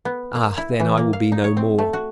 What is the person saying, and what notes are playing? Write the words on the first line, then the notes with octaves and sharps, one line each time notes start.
Ah! then I will be no more!
B3
A#3
E4
E3
A#3
F5
D#4
C#5
C4
A3
F#4